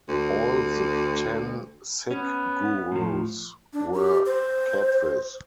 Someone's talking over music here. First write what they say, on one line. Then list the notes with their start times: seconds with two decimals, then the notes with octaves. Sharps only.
All the ten Sikh Gurus were Khatris.
0.09 D2
2.11 B3 C#4
2.92 A2 F3
3.73 D4
3.93 G4
4.26 C5